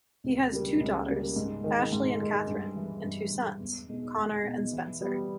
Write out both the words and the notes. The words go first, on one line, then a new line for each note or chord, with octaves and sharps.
He has two daughters, Ashleigh and Kathryn and two sons, Connor and Spencer.
C#2
C#3 G3 A#3
C#2
C#3 G3 A#3
G#2
D#3 G#3
G#2
D#3 G#3
G2
E3 G#3
G2
E3 G#3
E2
B2 G#3 D#4
E2
B2 G#3 D#4
E3
G3 B3